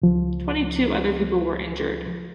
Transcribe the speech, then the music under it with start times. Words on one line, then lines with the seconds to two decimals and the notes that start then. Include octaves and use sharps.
Twenty-two other people were injured.
0.02 C#2 F3